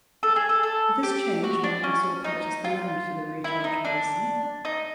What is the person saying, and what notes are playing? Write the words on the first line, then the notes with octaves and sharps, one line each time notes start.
This changed when Nassau purchased the land for the recharge basin.
A4
G#4
A4
A4
G4
F#4
D4
C#4
D#4
F4
E4
D#4
D4
D#4